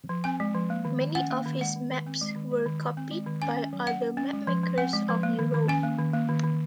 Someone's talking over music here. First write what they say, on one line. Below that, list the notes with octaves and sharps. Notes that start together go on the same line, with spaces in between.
Many of his maps were copied by other mapmakers of Europe.
F3
C4 G#5
G#3
F3
A#3
D#3
D#3
C#4 F#5
A#3
D#3
G#3 F#5
D#3
D#3
C4
G#3
D#3
G#3
D#3
D#3
C4
G#3
D#3
C#4 G#5
C#4
F#3
F#3 F#5
C#4
C#4
G#3
F3
F3
C4 F#5
G#3
F3
A#3
D#3
D#3
C#4 G#5
A#3
D#3
A#3
D#3
D#3